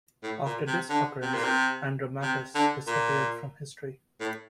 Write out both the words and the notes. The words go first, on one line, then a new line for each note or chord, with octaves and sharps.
After this occurrence, Andromachus disappears from history.
A2
A#2
C3
D3
C3
A#2
C3
C3
D3
A#2
A2